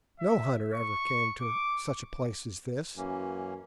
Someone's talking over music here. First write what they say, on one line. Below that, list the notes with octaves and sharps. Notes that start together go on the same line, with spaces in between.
No hunter ever came to such a place as this.
E5
C#6
D6
F#2 E3 A#3 C#4